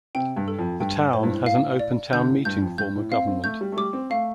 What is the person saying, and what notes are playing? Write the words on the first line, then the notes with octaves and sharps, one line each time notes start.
The town has an open town meeting form of government.
C3 G5
G2
A4
F2
G2 G5
A2 C5
G2
A2
F5
D5
D3 G6
A2
G2 G6
F2
G2 G6
A2
C4 F5
C4
A3 G6
G3
A3
G3 D6
C4
A3 F5